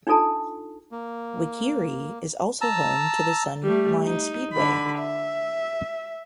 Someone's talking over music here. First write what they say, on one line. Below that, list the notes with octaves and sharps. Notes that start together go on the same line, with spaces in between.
Waikerie is also home to the Sunline Speedway.
D4 D#4 F4 A4 A5
A#3
A5 A#5 E6
G3 A3
D#4
D3 B5
E5